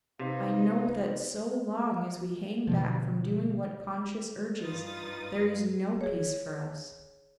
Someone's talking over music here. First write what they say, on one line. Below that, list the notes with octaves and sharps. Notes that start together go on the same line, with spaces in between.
I know that so long as we hang back from doing what conscience urges, there is no peace for us.
C3 D#4 G4 B4 C5 F5
B2 D3 F3
G2 D#4 F4 B4 D#6 A6
G#4 C#5